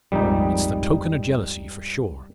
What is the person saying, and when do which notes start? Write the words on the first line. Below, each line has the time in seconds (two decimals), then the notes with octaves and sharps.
It's the token o' jealousy for sure.
0.12 A#1 F2 G#2 G3 D#4